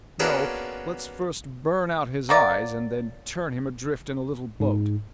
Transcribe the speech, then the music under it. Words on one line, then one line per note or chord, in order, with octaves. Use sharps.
'No! let's first burn out his eyes, and then turn him adrift in a little boat.'
A#3 B3 C#4 D4 F#4 G#4
F#3 A#3 D5
G#2